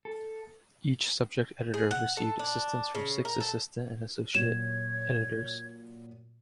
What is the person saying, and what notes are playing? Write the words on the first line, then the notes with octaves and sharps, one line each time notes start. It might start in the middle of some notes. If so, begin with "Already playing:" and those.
Each subject editor received assistance from six assistant and associate editors.
A4
G#4
F#5
A4
D4
C#3
A#4
A4
A#2 F#3 C#5 E7